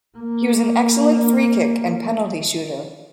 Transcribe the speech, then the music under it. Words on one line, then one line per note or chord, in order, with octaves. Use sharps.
He was an excellent free kick and penalty shooter.
A#3